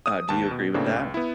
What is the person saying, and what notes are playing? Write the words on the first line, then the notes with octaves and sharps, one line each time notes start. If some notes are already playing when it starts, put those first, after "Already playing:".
Uh, do you agree with that?
D#6
D#2 A5
B2
A2 C#3 A#3 C4 D4
C#2
B3 E4